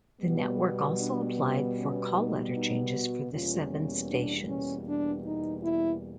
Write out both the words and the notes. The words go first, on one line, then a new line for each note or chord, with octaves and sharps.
The network also applied for call letter changes for the seven stations.
B2 G3 B3
D4
C#4
C#4
D#4
D#4
F#4
E2 B2 G3 A#3 C#4 F4
D4
C#4
D4
D#4
E4